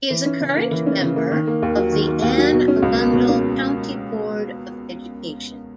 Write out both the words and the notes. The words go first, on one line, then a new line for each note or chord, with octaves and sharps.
He is a current member of the Anne Arundel County Board of Education.
E3
C#4
C#3
A#3
E3
C#4
C#3
A#3
D#3
A#3
D#2
F#3
D#3
A#3
D#2
F#3
B2
C#4
C#2
A#3
B2
C#4